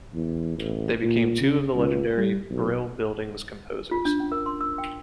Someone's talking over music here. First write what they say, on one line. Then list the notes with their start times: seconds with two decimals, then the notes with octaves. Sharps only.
They became two of the legendary Brill Building's composers.
0.14 E2
0.58 A1
1.03 A#2
1.41 C#3
1.76 C#2
2.17 G3
2.50 B1
3.91 F4
4.05 D4
4.20 C#4
4.32 A#4
4.46 C6
4.61 E6
4.78 G5